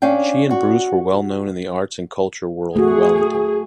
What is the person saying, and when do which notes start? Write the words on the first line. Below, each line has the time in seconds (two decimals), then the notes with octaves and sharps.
She and Bruce were well known in the arts and culture world in Wellington.
0.02 C#4 D4 F5 G5
0.51 F#4
2.76 A3 F#4 G#4